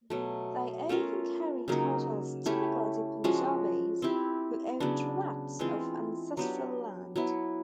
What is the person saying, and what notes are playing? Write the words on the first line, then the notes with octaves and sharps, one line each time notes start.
They often carry titles typical to Punjabis who own tracts of ancestral land.
B2 F#3 A3
A3 C#4 F4 A#4
C#3 F#3 A#3 D#4
A3 C#4 E4 G4
F3 G#3 C#4 F#4
C4 E4 G4
C#3 F#3 B3 D4
E3 G#3 C4 F4
F#3 B3 D4 G4
F#3 B3 E4